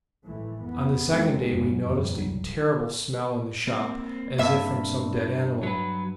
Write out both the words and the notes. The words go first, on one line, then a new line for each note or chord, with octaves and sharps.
On the second day we noticed a terrible smell in the shop, as if from some dead animal.
G#1 A2 E3 A3
F2 B3
E2 G#2 D#3 G#3 A#3 C4
G#1 E2 G2 E3 F#3 C#4
F#1 E2 A#2 F#3 G3 B3
C2
A#3 C4
G2 E5
F#3 B4